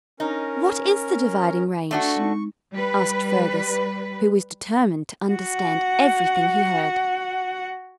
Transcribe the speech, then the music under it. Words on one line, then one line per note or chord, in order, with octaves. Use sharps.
"What is the Dividing Range?" asked Fergus, who was determined to understand everything he heard.
C#4 D#4 A#4
A3 D4 F#4 C#6
G#3 C4 D#4
G3 B4
F#4 F#5